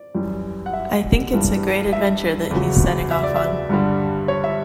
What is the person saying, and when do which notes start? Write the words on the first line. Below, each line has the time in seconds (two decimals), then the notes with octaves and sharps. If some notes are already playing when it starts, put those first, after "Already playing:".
I think it's a great adventure that he's setting off on.
Already playing: D5
0.15 F#2 E3 G3
0.66 F#5
0.73 E5
1.33 G2 E3 G3
1.93 E5
2.51 E2 C#3 F#3
3.11 E5
3.23 D5
3.36 E5
3.69 G2 D3 G3
4.28 C#5
4.44 E5